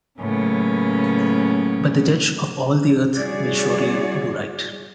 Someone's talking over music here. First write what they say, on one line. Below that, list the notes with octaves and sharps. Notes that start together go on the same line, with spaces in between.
But the Judge of all the earth will surely do right.
A2 C#3 F#3 A#3 B3 C#4
G3 E4 F#4 G#4 C#5 D5